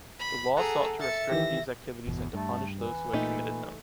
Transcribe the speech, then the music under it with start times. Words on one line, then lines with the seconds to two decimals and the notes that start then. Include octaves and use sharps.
The Law sought to restrict these activities and to punish those who had committed them.
0.19 B5
0.57 G#4 A4 F#5 A#5
1.00 E5 A6 C#7
1.30 D#3 E3 G4 A#6
2.07 G1 E2 B2
2.33 G2 A3
2.73 E3
3.13 A#2 A3 D#4 G4